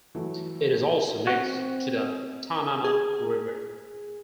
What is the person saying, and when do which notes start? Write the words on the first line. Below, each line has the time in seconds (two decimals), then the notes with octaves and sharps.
It is also next to the Tanana River.
0.15 E3 F#3 A3
1.27 C4 F#4
2.84 G#4